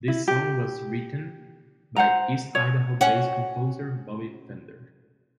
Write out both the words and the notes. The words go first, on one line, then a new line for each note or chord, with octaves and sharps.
This song was written by east Idaho based composer Bobby Fender.
E4
G4
C5 F#5 A#5
C#5
C#4 F#4